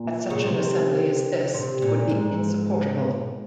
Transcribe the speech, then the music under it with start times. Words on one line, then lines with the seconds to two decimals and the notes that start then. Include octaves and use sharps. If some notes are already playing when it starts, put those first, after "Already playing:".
At such an assembly as this it would be insupportable.
Already playing: A#2
0.30 C#3
0.41 C3
1.54 C3
1.82 A#2
2.09 G#2